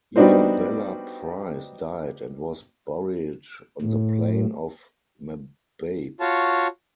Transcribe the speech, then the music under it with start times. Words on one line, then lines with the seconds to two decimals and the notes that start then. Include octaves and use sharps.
Isabella Price died and was buried on the plain of Mababe.
0.16 G3 B3 D4 D#4 F#4 C5
3.82 A2
6.20 F4 F#4 C#5 A5